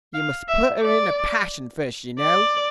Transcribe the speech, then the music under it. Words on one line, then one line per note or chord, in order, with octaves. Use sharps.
You must put her in a passion first, you know.
F5
E5
D5
D5